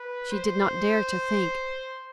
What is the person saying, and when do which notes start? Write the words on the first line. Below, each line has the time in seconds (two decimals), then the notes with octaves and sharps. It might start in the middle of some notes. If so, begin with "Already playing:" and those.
She did not dare to think.
Already playing: B4
0.32 C5